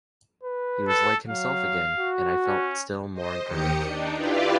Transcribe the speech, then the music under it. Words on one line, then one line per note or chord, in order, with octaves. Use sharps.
He was like himself again, and I felt still more encouraged.
B4
A4
F#3 F5
F#4
C#4
C5 D#5
D#2 D#3 G4 G5 D#6 C#7
D4 D#4
E4 F4 G4 B4 D5 F5